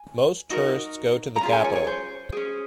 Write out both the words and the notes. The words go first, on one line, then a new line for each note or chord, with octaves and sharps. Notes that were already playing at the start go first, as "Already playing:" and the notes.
Most tourists go to the capital.
Already playing: G#5
D#4 F#4 A#4
A#5
C#4 F4 G#4
G#5
C#5
C#5
C5
C#4 G#4